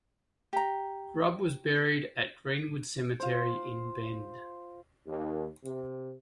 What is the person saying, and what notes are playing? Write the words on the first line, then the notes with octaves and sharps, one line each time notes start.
Grubb was buried at Greenwood Cemetery in Bend.
G4 A#5
F4 C5
D#2
C3